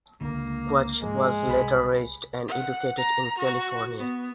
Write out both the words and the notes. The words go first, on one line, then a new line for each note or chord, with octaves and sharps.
Quach was later raised and educated in California.
C#2 D3 A#3
G#2 F3 G#3
C2 B5
F#5
A#5
F#4
B3